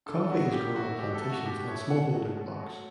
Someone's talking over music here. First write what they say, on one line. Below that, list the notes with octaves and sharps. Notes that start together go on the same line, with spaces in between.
Coffee is grown on plantations and small-holder blocks.
D3 A4
F#3 B3 E4 F#4
D3 G4
F#3 B3 E4 F#4
B2 G4
A4
A3 E4
F#4
B2 G4
A3 E4 C#5
B2 F#5
F#3 A3
B2
F#3 A3